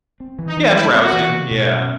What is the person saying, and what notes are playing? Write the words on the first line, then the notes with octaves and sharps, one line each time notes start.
Yeah, browsing, yeah.
C4
E3
D#4
E3
G#3 E4
C4
F#4
E3
A#3
B2
C#4